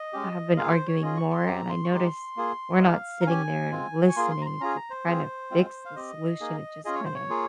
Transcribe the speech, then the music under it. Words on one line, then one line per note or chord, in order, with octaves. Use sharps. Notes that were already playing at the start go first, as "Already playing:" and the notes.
have been arguing more and I noticed, we're not sitting there and listening to kind of fix the solution, it just kind of
Already playing: D#5
G#3 C#4 G4
A#3 F4 G#4 F5
C5
C#5
C#4 F4 G#4 D#5
C#6
C6
C4 G4 A#5
C6
C#6
G#3 D#4 G4 C6
A#3 F4 G#4
D#5
G#3 D#4 G4 F5
A#5
C#4 G4 G#5
G#3 C4 F4
C#6
A#3 F4 G#4 C6
C6
A#5
C6
C#4 F4 G#4 A#5
A#5
C5
C4 F4 G#4
G#3 C4 F4
F5
C4 G4 D#5
A#3 D#4 G#4
C#4 F4 G#4 D#5
C#5
C5
C#5
A#3 F4 G#4